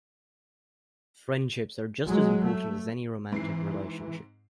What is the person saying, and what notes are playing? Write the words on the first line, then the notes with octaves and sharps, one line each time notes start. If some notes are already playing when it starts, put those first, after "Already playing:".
Friendships are just as important as any romantic relationship.
F#3 G#3
A3
G#2 E3 C4 C7